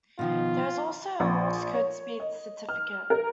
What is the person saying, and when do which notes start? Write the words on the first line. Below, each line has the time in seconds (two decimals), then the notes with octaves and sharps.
There is also a Morse Code speed certificate.
0.19 B2 D#3 F3 F4
1.20 A#1
1.74 C#5
2.20 D#5
2.69 F6
3.10 A#4